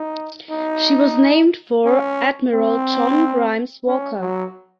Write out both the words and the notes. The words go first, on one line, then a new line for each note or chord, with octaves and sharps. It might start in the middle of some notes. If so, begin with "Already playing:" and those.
She was named for Admiral John Grimes Walker.
Already playing: D#4
D#4
C#4
C4
C#4
F#3